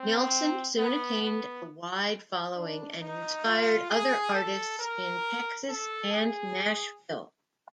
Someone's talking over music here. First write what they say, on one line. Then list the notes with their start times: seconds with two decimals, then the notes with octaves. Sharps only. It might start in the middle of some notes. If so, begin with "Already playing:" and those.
Nelson soon attained a wide following and inspired other artists in Texas and Nashville.
Already playing: C4
0.77 B3
1.22 B3
2.55 D4
3.00 D#4
3.45 F4
3.90 G#4
4.34 A4
4.79 A#4
5.69 A4
6.13 G#4